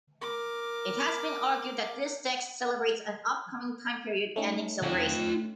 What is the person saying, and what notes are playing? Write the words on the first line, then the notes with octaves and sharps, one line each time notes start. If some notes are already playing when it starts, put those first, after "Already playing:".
It has been argued that this text celebrates an upcoming time period ending celebration.
A#4 D6
A3 C#4 D#4
F4 G5